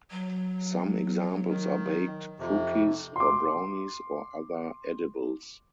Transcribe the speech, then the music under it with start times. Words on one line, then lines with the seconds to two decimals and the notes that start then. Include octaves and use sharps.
Some examples are baked cookies or brownies or other edibles.
0.11 F#3
1.48 D#3
2.39 F2 C3
3.16 C6 D6